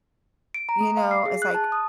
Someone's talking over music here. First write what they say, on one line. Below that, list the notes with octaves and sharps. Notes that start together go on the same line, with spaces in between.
you know, it's like
D7
A#5
A3
F5
C7
G#4
F#6
A5
D#6